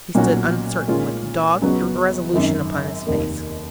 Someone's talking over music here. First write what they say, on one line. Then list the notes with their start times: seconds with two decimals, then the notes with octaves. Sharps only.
He stood uncertain, with dogged irresolution upon his face.
0.15 B1 A#2 F#3 C#4 F#4
0.88 A#2 G#3 C#4 F4
1.61 C#2 C#3 F#3 B3 F#4
2.33 G#1 F#2 D#3
3.07 F1 D#2 D#3 A#3